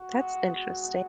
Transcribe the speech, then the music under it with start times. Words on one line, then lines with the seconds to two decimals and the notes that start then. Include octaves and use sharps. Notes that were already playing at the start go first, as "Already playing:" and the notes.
That's interesting.
Already playing: F#4
0.10 B2 G#3 B3 E5
0.47 B2 G#3 B3 F#5
0.72 G#5
0.83 B2 G#3 B3